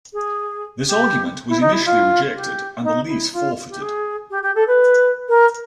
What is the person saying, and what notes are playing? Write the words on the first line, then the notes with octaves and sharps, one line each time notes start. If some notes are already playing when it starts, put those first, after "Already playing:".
This argument was initially rejected, and the lease forfeited.
G#4
G4
E4
D#4
E4
F4
G4
D#4
E4
F4
G4
G#4
G4
G4
A4
B4
A#4